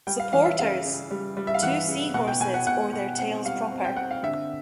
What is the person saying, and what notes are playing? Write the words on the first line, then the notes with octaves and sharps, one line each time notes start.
"Supporters": Two Seahorses Or their Tails Proper.
G3 G5
F5
E3 F5
E5
C#3 F5
C#3
G3
G3
E5
F5
E3 F#5
C#3
B2 F#5
G5
B2 G#5
F#5
B2 F#5
B2
C4 F#5
G3 F5
C4
G5
C4 F#5
F5
D3 E5